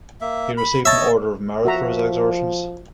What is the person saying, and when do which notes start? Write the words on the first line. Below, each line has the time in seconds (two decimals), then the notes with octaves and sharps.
He received an Order of Merit for his exertions.
0.21 A#3 E5
0.57 B5
0.85 C#5 D#5 E5 A5
1.65 F3 F#4 E5 A#5